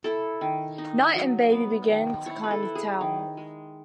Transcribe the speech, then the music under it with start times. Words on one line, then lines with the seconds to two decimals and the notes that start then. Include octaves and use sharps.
Knight and Baby begin to climb the tower.
0.04 E4 A4
0.41 D#3
0.78 D#4
1.16 F#3
1.52 B3
1.89 D#3
2.26 E4 C#5
2.44 B4
2.51 A4
2.63 E4
2.75 G#4
3.01 D#3
3.37 G#3